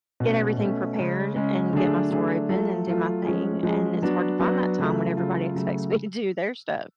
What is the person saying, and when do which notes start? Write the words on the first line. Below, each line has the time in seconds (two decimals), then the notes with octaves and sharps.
get everything prepared and get my store open and do my thing, and it's hard to find that time when everybody expects me to do their stuff.
0.20 B2 A3 C#4
0.58 B2 A3 C#4
0.96 C#3 G#3 C#4
1.35 C#3 G#3 C#4
1.73 D3 F#3 A3 D4 G#4
2.11 D3 F#3 A3 D4 G#4
2.49 F#3 A3 F4 A4
2.87 F#3 A3 F4 A4
3.25 F3 G#3 C#4 G#4
3.63 F3 G#3 C#4 G#4
4.02 F#3 B3 D4 F#4
4.39 F#3 B3 D4 F#4
4.78 C#3 F#3 A3 F4 A4
5.17 C#3 F#3 A3 F4 A4
5.55 C#3 F#3 A3